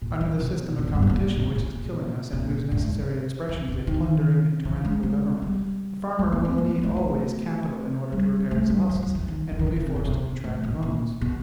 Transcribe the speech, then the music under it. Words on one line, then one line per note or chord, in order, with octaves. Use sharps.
Under the system of competition which is killing us, and whose necessary expression is a plundering and tyrannical government, the farmer will need always capital in order to repair his losses, and will be forced to contract loans.
A#2
E3
B2
B2
F#2
G2
G#2
A2
A#2
A2
A#2
A#2
A#2
A2
G#2
D3
D3
D#3
E3
G#3
G#3
G3
G#3
A#3
C4
A#3
A#3
A3
A3
G3
A3
G3
F#3
F3
E3
D#3
E3
D#3
D3
C#3
C3
B2
C3
A2
A#2
A#2
B2